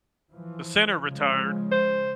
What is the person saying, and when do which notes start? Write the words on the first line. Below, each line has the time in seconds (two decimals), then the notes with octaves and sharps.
the center retired. Ra
0.31 E3 F3
1.08 C#3 F3 G#3
1.72 C5